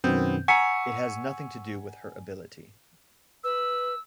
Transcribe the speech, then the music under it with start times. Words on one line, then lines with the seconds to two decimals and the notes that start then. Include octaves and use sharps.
It has nothing to do with her ability.
0.04 F#2 B2 D#3 B3 C4 G6
0.48 F#5 G#5 A#5 C#6 E6 B6 C#7
3.44 B4 E6